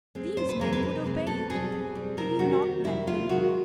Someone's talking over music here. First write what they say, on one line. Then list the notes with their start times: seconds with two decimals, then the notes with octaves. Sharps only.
These men would obey it. Will you not let them?
0.15 G#3 C4
0.37 C3 C5
0.49 B4
0.60 E3 G#3 C4 A#4
0.73 B4
0.83 C3
1.04 E3 G#3 C4
1.27 B2 A4
1.50 G3 C4 G#4
1.72 B2
1.95 G3 C4
2.17 C3 A#4
2.39 D#3 G3 F#4
2.62 C3
2.84 D#3 G3 E4
3.07 C3 F4
3.29 D#3 G#3 F#4